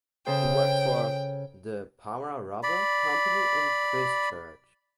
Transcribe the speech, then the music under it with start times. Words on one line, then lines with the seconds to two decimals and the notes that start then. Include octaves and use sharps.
He worked for the Para Rubber Company in Christchurch.
0.27 C#3 A4 C5 G5
2.63 D5 B5